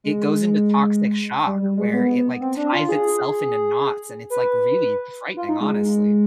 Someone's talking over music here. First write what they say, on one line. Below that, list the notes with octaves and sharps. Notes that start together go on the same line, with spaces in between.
it goes into toxic shock where it, like, ties itself into knots, and it's, like, really frightening, honestly.
G#3
G3
G3
G#3
B3
C4
D4
F4
G#4
B4
F4
D#4
G#3